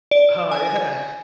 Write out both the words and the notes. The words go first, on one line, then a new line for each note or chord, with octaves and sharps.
Oh yeah,
D5
G#5